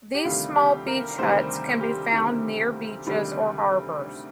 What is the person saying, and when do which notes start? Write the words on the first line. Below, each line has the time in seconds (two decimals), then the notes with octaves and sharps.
These small beach huts can be found near beaches or harbours.
0.15 G4
0.25 D2 C3 D#3 G3 F4
0.56 G4
0.87 A#4
1.18 D2 C3 D#3 G3 C5
1.81 G4
2.12 D2 C3 D#3 G3
3.06 D2 C3 D#3 G3